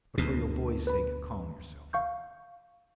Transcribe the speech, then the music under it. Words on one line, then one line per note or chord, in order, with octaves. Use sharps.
But for your boy's sake, calm yourself.
D2 B2
B4 B5
F5 C#6 G6